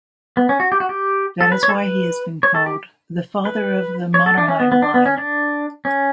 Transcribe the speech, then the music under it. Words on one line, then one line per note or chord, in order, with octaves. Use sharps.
That is why he has been called ""the father of the Mannerheim line"".
B3
C#4
F#4
G4
F#4
G4
A4
B4
C#5
A4
B4
C#5
A4
G4
B4
C#5
A4
D4
C#4
B3
B3
D4
B3
C#4
D4
C#4